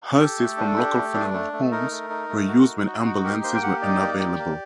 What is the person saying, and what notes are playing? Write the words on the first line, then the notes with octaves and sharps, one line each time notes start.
Hearses from local funeral homes were used when ambulances were unavailable.
G4 A4
A3
D4
G4
A3
D4
A3
A3
D#4 A#4
A3
D#4
A3
F#4
D#4
F#4
D#4
G4 A#4
A#3 C5
G5
G4 F#5
D#4 D5
A#3
G4
A#3